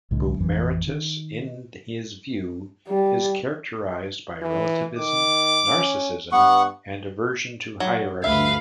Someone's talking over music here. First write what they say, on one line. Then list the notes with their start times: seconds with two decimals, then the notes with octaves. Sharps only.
Boomeritis, in his view, is characterized by relativism, narcissism, and aversion to hierarchy.
0.11 C2 A2 D3 G#3
0.38 A1 F2 E3
0.87 D#3
2.88 G3
4.42 E3
4.98 D#3 D6
5.69 C#4
6.32 G2 B3 F#5 C#6
7.80 F#3
8.24 D2 G2 B4 E5 F5